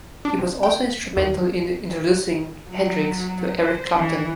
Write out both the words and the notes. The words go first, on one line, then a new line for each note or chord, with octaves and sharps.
He was also instrumental in introducing Hendrix to Eric Clapton.
D4
C3
G5
B6
D#2
F#3
C5
E3